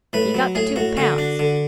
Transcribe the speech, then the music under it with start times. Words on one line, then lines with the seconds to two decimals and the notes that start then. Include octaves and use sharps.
He got the two pounds.
0.13 A2 B4
0.34 F#3
0.55 A2 G#4
0.76 A2 F#4
0.97 D3 F#4
1.18 D4
1.39 D3